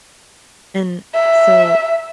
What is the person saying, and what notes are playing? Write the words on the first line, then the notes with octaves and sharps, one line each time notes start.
And so,
E5